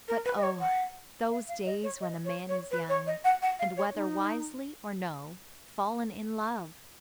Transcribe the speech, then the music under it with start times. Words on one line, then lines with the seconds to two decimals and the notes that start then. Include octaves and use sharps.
But, oh! those days when a man is young, and, whether wisely or no, fallen in love!
0.08 A#4
0.25 B4
0.37 D#5
0.43 C#5
0.60 F#5
1.31 F5
1.49 F5
1.66 D#5
1.83 C#5
2.01 D#5
2.25 C#5
2.49 C#5
2.71 B4
2.89 C#5
3.07 D#5
3.24 F#5
3.42 F#5
3.59 F5
3.77 C#5
3.95 D#4